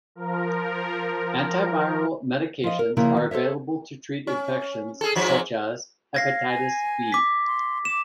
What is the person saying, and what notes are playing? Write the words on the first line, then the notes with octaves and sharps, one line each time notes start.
Anti-viral medications are available to treat infections such as hepatitis B.
F3 A#4
F3 D#5
A#4
C#3 F3 A#3 E4 A#4
D#3
A4 C5 C#5 E5
C#4
G#4 A4
G#2 F3 F#3
F5 G#6 A#6 C7
G#5
D6 B6
C6
D6 E7